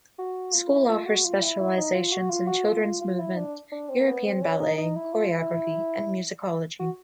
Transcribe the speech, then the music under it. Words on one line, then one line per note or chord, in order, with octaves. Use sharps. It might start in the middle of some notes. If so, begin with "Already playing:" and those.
The school offers specializations in children's movement, European ballet, choreography, and musicology.
F#4
F4
E4
F4
F#4
F4
E4
E4
D#4
F4
F#4
F4
F#4
F4
F4
F4
E4
D4
D4
C4
A#3
B3
C4
C#4
D#4
D#4
E4
F4
E4
F#4